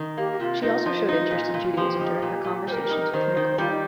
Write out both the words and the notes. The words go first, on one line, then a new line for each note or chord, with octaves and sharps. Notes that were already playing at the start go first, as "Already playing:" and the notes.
She also showed interest in Judaism during her conversations with Nuklon.
Already playing: D#3
A#3 G4
G4
C3 F4
D#4 F4
F3
D#4
A#2
A#2
F3 G4
D#4
A#2
A#2
G3 A#4 C5
D#4
D#3 C5
D#3
G3 F4
D#4